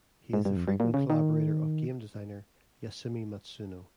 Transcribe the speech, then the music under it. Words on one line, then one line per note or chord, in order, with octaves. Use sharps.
He is a frequent collaborator of game designer Yasumi Matsuno.
G#2
G2
F2
G2
A#2
C#3
D#3